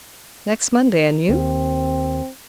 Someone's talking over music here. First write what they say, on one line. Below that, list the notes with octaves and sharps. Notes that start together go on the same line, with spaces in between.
"Next Monday; and you?"
D#2 C4